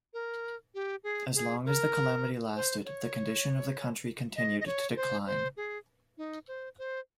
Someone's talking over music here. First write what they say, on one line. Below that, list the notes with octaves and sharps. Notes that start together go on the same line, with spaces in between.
As long as the calamity lasted, the condition of the country continued to decline.
A#4
G4
G#4
G#4
A#4
C5
C#5
D#5
D#5
C#5
C5
C5
G#4
D#4
C5
C5